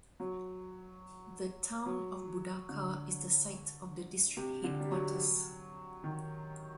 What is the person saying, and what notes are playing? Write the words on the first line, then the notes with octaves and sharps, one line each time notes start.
The town of Budaka is the site of the district headquarters.
F#3
F#3
D3
C3
D3
G3
F#3
D#3